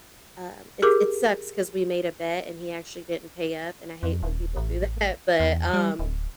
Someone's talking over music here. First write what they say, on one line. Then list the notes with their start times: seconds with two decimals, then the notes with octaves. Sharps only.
um it it sucks 'cause we made a bet and he actually didn't pay up, and I hate when people do that but, um,
0.82 G4 G#4 A#4 D6
4.03 F2
4.23 D#1
4.56 A1
5.40 E2
5.74 G3
5.99 D1